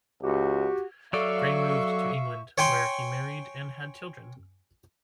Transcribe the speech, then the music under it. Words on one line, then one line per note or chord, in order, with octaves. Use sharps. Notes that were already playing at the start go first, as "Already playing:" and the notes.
Grey moved to England, where he married and had children.
C#2 F#4 G4
F#3 A4 D5 E5 F5 C#6
C#5 G5 G#5 C6 C#6